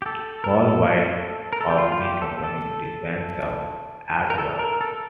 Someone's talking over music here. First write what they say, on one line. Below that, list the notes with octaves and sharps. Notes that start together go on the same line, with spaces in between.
Paul White of "Me Company" designed the artwork.
G4
A4
A#4
A4
A#4
A4
G4
F4
F4
G4
A4
A4
A#4
A4
A#4
A4